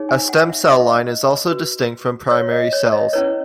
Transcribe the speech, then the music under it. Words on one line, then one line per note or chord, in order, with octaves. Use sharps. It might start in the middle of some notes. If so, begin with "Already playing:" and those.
A stem cell line is also distinct from primary cells.
Already playing: D#4 G#4 C#5
G#5
F#5
E5
D#5
F#4 B4
C#5
D#5
C#5
D#5
C#4 E4 B4 C#5